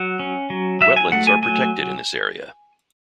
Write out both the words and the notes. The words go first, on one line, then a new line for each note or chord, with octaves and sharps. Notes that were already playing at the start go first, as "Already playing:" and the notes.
Wetlands are protected in this area.
Already playing: F#3 F#5
C#4
F#3
F#3 E5
G#5
A3 F#5
G#5
F#3 G#5